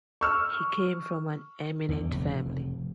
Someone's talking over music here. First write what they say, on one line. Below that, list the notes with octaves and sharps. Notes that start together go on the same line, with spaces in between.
He came from an eminent family.
C#6 E6 F6
E2 D3
F1 A2